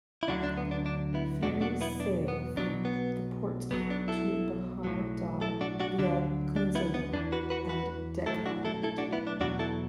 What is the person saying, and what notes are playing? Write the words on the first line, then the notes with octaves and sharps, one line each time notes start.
Ferries sail from the port to Bahir Dar via Kunzela and Dek Island.
E4
D2 D3 F#3 D4 F#4
D4
B3
D4
D4
B3 E4
E2 B2 F#3 D4 F#4
D4 F#4
B3 E4
D4
B3
B1 B2 F#3 D4
B3
B1 B2 F#3 B3
D4
E4 A4
B1 A2 F#3
E4 A4
D4 F#4
D4 F#4
D2 D3 F#3 D4
D4
B3 E4
B3
E2 E3 D4
F#4 B4
F#4 B4
F#4 B4
B1 A2 F#3 E4 A4
D4 F#4
E4 A4
E4 A4
D4 F#4
B3 E4
D4
E2 B2 F#3 D4 F#4
E4 A4